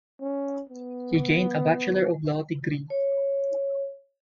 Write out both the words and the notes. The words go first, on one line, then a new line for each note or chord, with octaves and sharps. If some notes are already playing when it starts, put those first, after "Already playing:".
He gained a Bachelor of Law degree.
C#4
B3
C#5